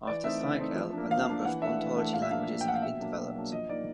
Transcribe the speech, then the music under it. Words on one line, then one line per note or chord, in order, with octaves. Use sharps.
After CycL, a number of ontology languages have been developed.
E3 D5
A3 C4 D#4 E5
E3
A3 C4 D#4
F3
A#3 D4
F3 F5
A#3 D4
E3 F#5
A3 D4 E5
E3
A3 D4
A#2 F5
E5
F3 A#3 D4 F5
A#2
G5
F3 A#3 D4 F#5
F5
B2 E5
F#3 A#3 D4
B2
F#3 A#3 D4
F3 D#5
A#3 D#4 D5